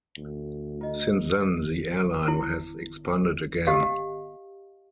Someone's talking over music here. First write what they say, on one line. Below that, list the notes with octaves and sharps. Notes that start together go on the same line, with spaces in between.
Since then the airline has expanded again.
D2
F4 D#5
E4
G4 D#5 F5